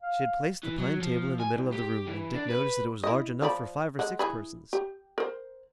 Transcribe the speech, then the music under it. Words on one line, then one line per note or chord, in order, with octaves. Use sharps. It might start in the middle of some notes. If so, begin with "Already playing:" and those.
She had placed the pine table in the middle of the room, and Dick noticed that it was large enough for five or six persons.
F5
E3
F#3
F3
G#5
C2
G4
E3
D4
B4
E4 D#5
F3 D5 B5
G#3 F#5
E3 G#4 B5
G4
A#4 C5